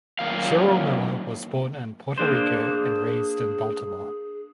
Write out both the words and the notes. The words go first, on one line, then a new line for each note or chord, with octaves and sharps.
Cheryl Miller was born in Puerto Rico and raised in Baltimore.
F#2 A#2 D#3 F5
A#3 D4 G#4 C5